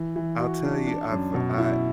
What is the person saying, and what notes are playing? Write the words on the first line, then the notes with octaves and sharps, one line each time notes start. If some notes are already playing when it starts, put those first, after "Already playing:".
I'll tell you, I've I
Already playing: E3
E3
F#4
D4
D4
F#2
B2
E4